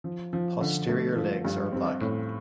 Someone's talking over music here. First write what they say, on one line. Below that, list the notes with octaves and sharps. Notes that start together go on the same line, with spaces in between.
Posterior legs are black.
F3
F3
D3
A3
F3
G2
C4
A2